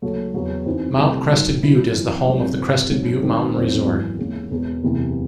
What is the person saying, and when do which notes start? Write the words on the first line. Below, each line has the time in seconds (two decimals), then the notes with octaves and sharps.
Mount Crested Butte is the home of the Crested Butte Mountain Resort.
0.02 D#2 C#3 F#3 A3
0.34 E2 C#3 F#3
0.66 F#2 E3 C4 D#4
0.99 C2 C3 E3 A3
1.30 G#2 D#3 F#3
1.62 C2 C3 F#3 C#4 E4
1.94 F#2 E3 C4
2.26 C#2 C3 F#3 C4 E4
2.58 G#1 F#2 E3 C4
2.90 G#1 G#2 F#3 C4 D#4
3.23 A1 G#2 D#3 A3 C4
3.54 E2 D#3 F#3 A3 C4
3.87 G#1 F#2 E3
4.18 D#2 C#3 E3 G#3 C#4
4.51 E1 E2 C#3 G#3
4.83 F#1 E2 C3 E3